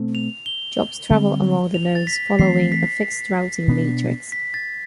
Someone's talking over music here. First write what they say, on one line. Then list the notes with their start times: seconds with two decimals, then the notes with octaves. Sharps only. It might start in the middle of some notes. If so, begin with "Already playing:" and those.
Jobs travel among the nodes following a fixed routing matrix.
Already playing: B2 A3 C4
0.15 F7
0.46 G7
1.10 D3 G3 C4
1.74 F7
1.95 A6
2.07 B6
2.39 E3 A3 C4 C7
2.72 B6
3.68 B2 B3 D4
4.32 B6
4.54 A6